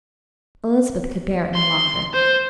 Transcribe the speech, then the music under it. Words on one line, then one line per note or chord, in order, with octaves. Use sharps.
Elizabeth could bear it no longer.
C6
C5